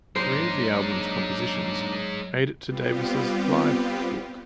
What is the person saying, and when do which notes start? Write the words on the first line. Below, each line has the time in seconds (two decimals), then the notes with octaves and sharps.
Three of the album's compositions made it to Davis's live "book".
0.16 F#3 G#3 A#3 D4 D#4 C5
2.64 G3 B3 C4 F4 G4